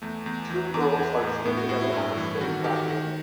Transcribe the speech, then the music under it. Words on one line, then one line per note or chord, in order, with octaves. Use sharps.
Two girls are sitting together on a spinning platform.
E2 A3
E2
E3
E2
E3
A2
A2 B3
F#4
A2 F#4
E4
G2 E4
E3
D#3 F#4
A4
D#3 G4
F#4
D#3 F#4